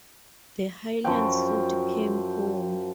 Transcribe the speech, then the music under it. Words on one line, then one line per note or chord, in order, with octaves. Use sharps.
The Highland suit came home.
F#2 F3 G5